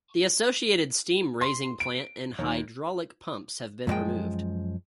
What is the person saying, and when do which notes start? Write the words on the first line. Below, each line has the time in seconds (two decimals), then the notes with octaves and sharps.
The associated steam raising plant and hydraulic pumps have been removed.
1.41 C6
1.80 D7
2.38 D#2
3.87 F#2 A#2 F3 G#3 G5